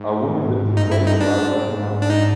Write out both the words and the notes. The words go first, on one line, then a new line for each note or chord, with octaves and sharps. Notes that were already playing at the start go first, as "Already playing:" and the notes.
A woman lifting weights while working out.
Already playing: G#2
A2
G#2
G#2
G#2
G2 D#4
E4
D#4
F#2 D4
G#2
D4
D#4